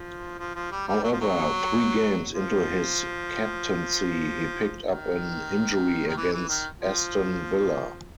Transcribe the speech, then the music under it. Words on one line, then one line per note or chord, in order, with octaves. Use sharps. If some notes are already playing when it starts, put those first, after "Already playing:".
However three games into his captaincy he picked up an injury against Aston Villa.
Already playing: F3
F3
F3
G3
G3
F#3
F3
F#3
F3
D#3
D#3
E3
E3
D#3
F3